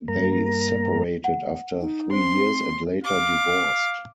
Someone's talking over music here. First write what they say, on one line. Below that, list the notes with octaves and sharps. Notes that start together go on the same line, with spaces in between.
They separated after three years and later divorced.
G2 A#3 A#5
F#5
D#4
C4 C5 C6
F5 D6